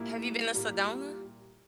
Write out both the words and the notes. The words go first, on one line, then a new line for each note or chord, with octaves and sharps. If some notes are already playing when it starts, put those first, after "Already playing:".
Have you been to Sedona?
Already playing: A#2 G3 A#3 E4
A#2 G3 A#3